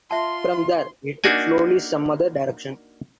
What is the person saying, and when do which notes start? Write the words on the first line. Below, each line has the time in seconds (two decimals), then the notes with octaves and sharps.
From there we took slowly some other direction.
0.11 F4 E5 A5 C6
1.24 A#3 D4 D#4 F#4 D5 G#5